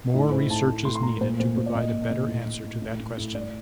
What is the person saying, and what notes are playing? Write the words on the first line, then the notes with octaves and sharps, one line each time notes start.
More research is needed to provide a better answer to that question.
A2 D#4
A2 C5
A2 A5
A2
A2 C6
C6
A2 A#5
A#4
A#2 C5
A#2 C5
A#2 C5
D5
A#2 D#5
A#2
D#5
A#2
A2
A2
A2
A2
A2
A2
A2 D5